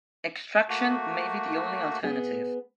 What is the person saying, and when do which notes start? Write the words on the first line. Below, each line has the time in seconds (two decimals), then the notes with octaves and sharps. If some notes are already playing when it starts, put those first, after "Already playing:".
Extraction may be the only alternative.
0.69 A3 A#3 F#4
2.04 B3 G#4